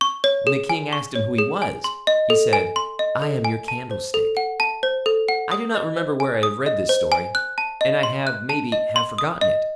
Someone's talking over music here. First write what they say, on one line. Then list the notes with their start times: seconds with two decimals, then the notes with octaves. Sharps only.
When the king asked him who he was, he said, 'I am your candlestick.' I do not remember where I have read this story, and I have, maybe, half forgotten it.
0.01 C#6
0.24 C#5
0.47 G#4
0.70 G#5
0.93 C#6
1.15 C#5
1.38 G#4
1.62 G#5
1.84 C6
2.07 D#5
2.30 A4
2.53 G#5
2.76 C6
2.99 D#5
3.22 A4
3.45 G#5
3.68 A5
3.91 C5
4.14 A4
4.37 F#5
4.60 A5
4.83 C5
5.06 A4
5.28 F#5
5.52 D#6
5.74 D#5
5.97 C5
6.20 G#5
6.43 D#6
6.66 D#5
6.89 C5
7.12 G#5
7.35 F#6
7.58 A5
7.81 D#5
8.03 C6
8.27 F#6
8.49 A5
8.72 D#5
8.96 C6
9.18 D#6
9.41 D#5